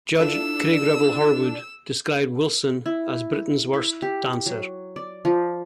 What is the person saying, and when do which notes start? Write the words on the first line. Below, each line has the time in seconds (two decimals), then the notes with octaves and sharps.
Judge Craig Revel Horwood described Willson as "Britain's Worst Dancer".
0.20 D4 E4 F4 A4 E6
2.86 E4
3.73 E4
4.02 G4
4.46 F#3
4.96 D5
5.25 F3